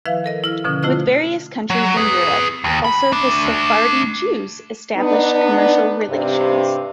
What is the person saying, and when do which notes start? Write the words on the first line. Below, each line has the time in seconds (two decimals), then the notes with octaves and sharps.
With various countries in Europe also the Sephardi Jews established commercial relations.
0.06 D#3 F3 E4 B4 E5 F5
0.24 A4 A#4 D#5
0.44 E4 F6
0.64 B2 D3 F3 C#4
0.83 A3 E4 F4 C5 D#5 F#6
1.70 F#3
1.97 G#4 B4
2.64 D#2
2.85 B5
3.12 A3 D4
4.97 B3 D4 D#4
6.08 G2 C3